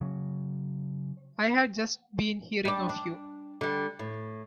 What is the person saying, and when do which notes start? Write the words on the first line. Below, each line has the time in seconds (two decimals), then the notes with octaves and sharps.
I have just been hearing of you.
0.01 C#3 F#3
2.65 G3 D4
2.89 D4
3.61 D3 G3
3.99 A2